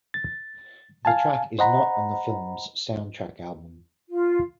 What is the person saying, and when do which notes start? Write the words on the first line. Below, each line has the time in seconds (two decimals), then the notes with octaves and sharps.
The track is not on the film's soundtrack album.
0.14 A6
1.05 F5 G#5 A5
1.59 C5 D#5 F#5 A#5 B5
4.09 F4